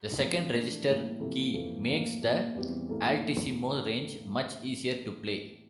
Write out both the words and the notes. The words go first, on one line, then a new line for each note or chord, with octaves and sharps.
The second register key makes the altissimo range much easier to play.
A2 F3 C4 G4
E3 A3 D4
A2 G3 A#3 E4 G4
C3 F3 A#3 E4 A4
F2 E3 A#3 F4 A4
A2 F3 A#3
A#2 F3 A3
E2 E3 G3 C4 G4
A2 E3 A#3 E4 A4